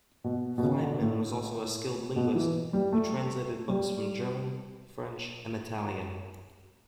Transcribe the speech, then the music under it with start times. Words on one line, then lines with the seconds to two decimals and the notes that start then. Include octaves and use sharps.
Fyleman was also a skilled linguist who translated books from German, French and Italian.
0.24 B2
0.58 B2
0.63 C#3
0.83 D3
1.01 A2
2.16 B2
2.35 E3
2.73 G3
2.92 A3
3.69 G3